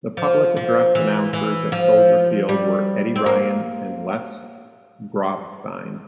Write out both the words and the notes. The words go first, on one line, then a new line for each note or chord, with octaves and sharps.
The public address announcers at Soldier Field were Eddie Ryan and Les Grobstein.
F3
F3
E3
E3
F3
G3
C4
A#3